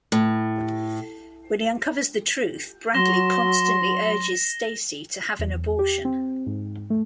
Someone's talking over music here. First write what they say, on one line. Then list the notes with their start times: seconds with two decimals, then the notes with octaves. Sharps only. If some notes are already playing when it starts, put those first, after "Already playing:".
When he uncovers the truth, Bradley constantly urges Stacey to have an abortion.
0.12 A2
2.94 F#3 C6 A#6 E7 G7
5.39 E2
5.79 G4
6.05 C4
6.46 G#2
6.90 A3